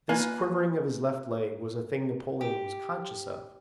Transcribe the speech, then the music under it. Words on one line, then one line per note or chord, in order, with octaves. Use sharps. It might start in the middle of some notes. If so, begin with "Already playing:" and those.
This quivering of his left leg was a thing Napoleon was conscious of.
A#3 F4 B4 G#5
G4